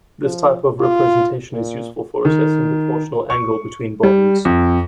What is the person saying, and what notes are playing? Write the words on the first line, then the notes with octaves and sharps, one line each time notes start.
This type of representation is useful for assessing the torsional angle between bonds.
F3
F4
A#2
D#3
C#6
G3
F2